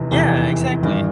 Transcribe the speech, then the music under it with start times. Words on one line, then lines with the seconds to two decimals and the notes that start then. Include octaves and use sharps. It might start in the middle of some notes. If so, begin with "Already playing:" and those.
Yeah, exactly.
Already playing: F1 E2 C3 E3
0.11 F1 E2 C3 E3
0.83 G#1 G2 E3 G3